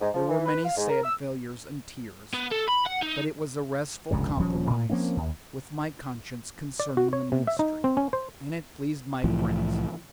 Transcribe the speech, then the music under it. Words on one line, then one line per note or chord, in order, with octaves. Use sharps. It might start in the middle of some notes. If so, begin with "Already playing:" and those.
There were many sad failures and tears, but it was a restful compromise with my conscience concerning the ministry, and it pleased my friends.
G#2
F3
E3
B4
F5
G#2
A#4
E6
B3
A4
B5
F#5
D#4
F1 C#2 G2 D3
D#1 D2 F3 C#4
A2
F3 A#3 C4 C#4
D#2
D5
F#4
C#5
C3
E5
D#4
C4
C#4
C5
C2 A2 E3 F3